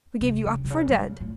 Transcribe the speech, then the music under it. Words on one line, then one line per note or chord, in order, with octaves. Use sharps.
We gave you up for dead!
C3
C#3
C3
C#3
F#2
A2